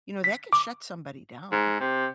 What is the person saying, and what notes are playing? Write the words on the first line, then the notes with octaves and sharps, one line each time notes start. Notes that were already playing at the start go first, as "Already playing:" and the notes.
You know, that can shut somebody down.
B6
D6
G#2
C3